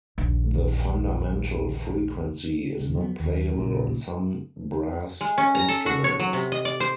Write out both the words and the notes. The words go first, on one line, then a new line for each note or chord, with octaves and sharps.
The fundamental frequency is not playable on some brass instruments.
A#1 D#2
D#1 C#2
F3 F#3 A#3 B3
D#2
A#1 A#2 C#3
G#3
C#4
A#5
A4
F#4
C#5
F#3
C3
D#5
D5
C5